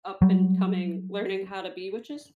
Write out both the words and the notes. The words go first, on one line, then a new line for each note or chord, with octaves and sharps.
up-and-coming learning how to be witches,
F#3 G3